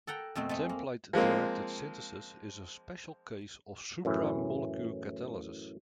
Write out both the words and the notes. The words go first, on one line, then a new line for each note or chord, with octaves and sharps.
Template-directed synthesis is a special case of supramolecular catalysis.
A4 F#5 G5 A#5
F2 B2 A3 C4
G#3 A3
A#3
F3 G#3 A#3 C4
F#2 A2 E3